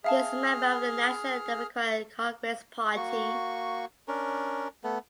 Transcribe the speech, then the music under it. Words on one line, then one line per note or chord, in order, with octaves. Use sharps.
He is member of the National Democratic Congress Party.
G#4 E5 F5 A5 F6
A#3 F#4 C#6
C#4 D4 A#4
A3 B3